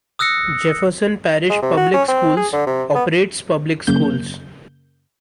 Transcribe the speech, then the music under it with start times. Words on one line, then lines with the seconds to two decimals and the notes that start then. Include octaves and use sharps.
Jefferson Parish Public Schools operates public schools.
0.19 D#6 E6 F#6 A#6 C#7
1.50 G#3
1.62 C3
1.77 F#4
1.94 C#4
2.08 C4
2.37 G#4
2.53 D3
2.67 C3
2.95 B3
3.87 F#2 C#3 A#3 G6